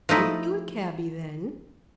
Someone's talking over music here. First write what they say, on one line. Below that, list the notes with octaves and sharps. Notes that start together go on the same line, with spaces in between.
"Ain't you a cabby, then?"
F3 A3 D#4 E4